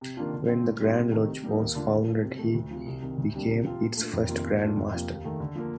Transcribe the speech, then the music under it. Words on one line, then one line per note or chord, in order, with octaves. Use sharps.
When the Grand Lodge was founded he became its first Grand Master.
C3
D#3 A#3 D4 F4
D3
F3 C4
A2
G3 C4 D#4
C3
D#3 A3 D#4
C3
G3 A#3 D#4
D#2
D3 A3 D4 F4
A#2
F3 A#3
C3
D#3 A3
D2
C3 F3
C2
C3 D#3
D2
C3 G3 A#3 D4
C3
F3 C4 F4
A#2
A3 D4 F4
F2
C3 D#3 A#3 F4
A#2
A3 D4 F4
F2
C3 F3 A#3
D#2
D#3 A3
D3
F3 A#3